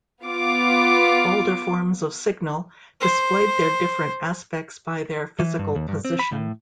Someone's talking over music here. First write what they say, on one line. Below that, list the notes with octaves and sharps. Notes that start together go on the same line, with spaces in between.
Older forms of signal displayed their different aspects by their physical position.
B3 F4 D6
C5
E3
G2
D#2
G2
C4
B5
A2